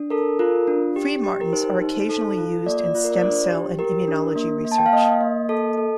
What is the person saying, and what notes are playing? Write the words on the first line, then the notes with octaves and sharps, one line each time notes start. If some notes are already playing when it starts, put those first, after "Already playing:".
Freemartins are occasionally used in stem cell and immunology research.
Already playing: D4
A4 A#4
F4 A#4
D4
G4
G4
A#4
D#4 C5
D#4
A4
F4
A#3 D5
D5
F4
A#4
D5
D4 C5
G4
G4 A#4
D4
A#3
A#3
A5
G5
F5
A#3 D#5
A#3
A4
A4